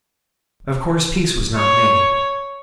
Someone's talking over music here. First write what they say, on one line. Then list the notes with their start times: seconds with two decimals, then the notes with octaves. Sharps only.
Of course peace was not made.
1.56 C#5